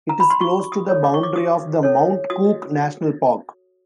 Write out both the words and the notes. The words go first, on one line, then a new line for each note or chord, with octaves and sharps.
It is close to the boundary of the Mount Cook National Park.
A#5
B5
C6
F#4 C#6
D#6
A4 C#5
D6
C#6
D6
F#4 D#6
A4 C#5
F#4 D#6